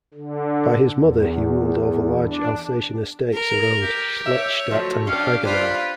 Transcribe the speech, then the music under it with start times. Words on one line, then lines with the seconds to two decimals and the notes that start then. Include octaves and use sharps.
By his mother he ruled over large Alsatian estates around Schlettstadt and Hagenau.
0.14 D3
0.98 E2
2.24 D4
3.33 A#4
3.82 G4
4.26 C#5 E5
4.71 F3 F#3 A3
5.07 C#4 D4 G4 F5
5.45 G3 F4 B4 C5 D5